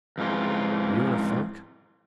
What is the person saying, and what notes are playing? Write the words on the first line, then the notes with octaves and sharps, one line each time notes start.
Were you in a funk?
F2 G#2 E3 F4